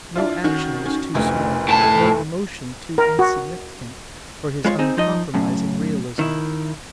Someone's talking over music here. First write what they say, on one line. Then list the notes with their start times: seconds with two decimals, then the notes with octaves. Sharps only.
No action was too small, no emotion too insignificant, for his uncompromising realism.
0.16 D4 E4 F4
0.44 D#3 C#4 F#4
0.85 C#4
1.14 F1 D2 D#4 E4 A#4
1.68 A2 A5
1.80 A3 E4 B4
2.98 A#4
3.19 F#4
4.65 G#3 F4 B4 C#5
4.79 C4 D#4 G#4
4.97 F3 D#4 D#5
5.34 F#2 A2 C#3
6.19 D#3 E4